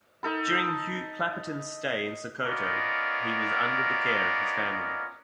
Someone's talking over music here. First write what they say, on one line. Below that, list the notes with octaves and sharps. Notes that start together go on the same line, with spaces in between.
During Hugh Clapperton's stay in Sokoto, he was under the care of his family.
D#4 A4 B5
B3 C#4 F4 A#4 D5 D#5